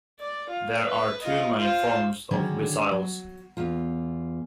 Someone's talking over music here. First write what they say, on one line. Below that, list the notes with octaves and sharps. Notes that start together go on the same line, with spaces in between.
There are two main forms of vesicles.
D5
F4
B4
F4 D#5
F4 C5
D3 D#3 F#3 C#4 D4 G#4
F#3
E2 F4